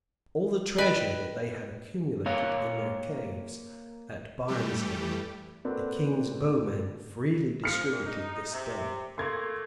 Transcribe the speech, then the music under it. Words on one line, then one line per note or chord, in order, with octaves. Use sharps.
All the treasure that they had accumulated in their caves at Barnesdale the King's bowmen freely distributed this day.
B4 D#5 G5
A#3 C#5 F5
E3 G3 A3 G4
A#3 C4 D4 F#4 A4 B4
F3 F6 C#7
D2 A#2
D#4
C3
A3 A#3 C6 G#6